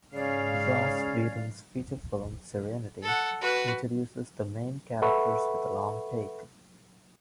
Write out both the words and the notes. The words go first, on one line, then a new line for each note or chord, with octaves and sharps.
Joss Whedon's feature film "Serenity" introduces the main characters with a long take.
G#2 C#3 C#4 D5 F5
A4 F#5
F#4 B4
A4 B4 E5 F#5 B5 C#6